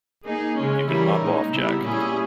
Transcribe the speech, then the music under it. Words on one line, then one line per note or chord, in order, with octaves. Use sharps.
You can pop off, Jack.
A#3 D#4 G#4
C#3 G#3 C#4
E3 G3 C#4 E4 A#4
A#2 G#3 D#4
C#3 G3 B3 E4 A#4
A#2 G3 C#4 E4 G#4